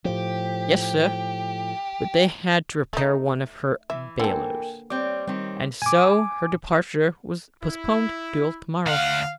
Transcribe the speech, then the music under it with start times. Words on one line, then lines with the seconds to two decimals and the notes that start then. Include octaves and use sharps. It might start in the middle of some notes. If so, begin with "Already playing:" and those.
"Yes, sir; but they had to repair one of her boilers, and so her departure was postponed till to-morrow."
0.05 A2 F3 G4
2.93 A3 D#4
3.90 E3 E5
4.20 D3 A#3 A4 A#4 G5 G#5
4.90 G3 C4 C#5 D6
5.27 D#3 G3 C4
5.82 G#5 D6
7.63 E4
8.86 D2 F5 F#5